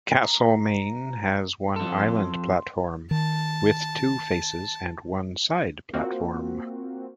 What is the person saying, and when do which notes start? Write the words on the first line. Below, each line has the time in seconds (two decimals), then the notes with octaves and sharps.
Castlemaine has one island platform, with two faces and one side platform.
0.21 A#5
1.76 F2 A4 C6
3.11 D#3 A5
5.93 A#3 C4 F4 F#4